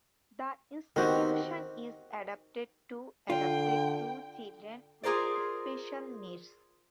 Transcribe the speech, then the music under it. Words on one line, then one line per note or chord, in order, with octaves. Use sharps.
The institution is adapted to adapted to children with special needs.
D#3 B3 C4 F#4 G4
D3 F4 G5
F4 G#4 A#4 C5 D5